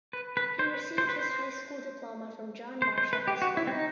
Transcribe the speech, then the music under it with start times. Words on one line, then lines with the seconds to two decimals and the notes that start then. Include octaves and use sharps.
He received his high school diploma from John Marshall High School.
0.13 B4
0.37 B4
0.59 C5
0.74 B4
0.98 C5
1.09 B4
1.19 C5
2.82 C5
2.98 C5
3.13 B4
3.28 G4
3.42 F#4
3.57 E4
3.67 C4
3.71 D#4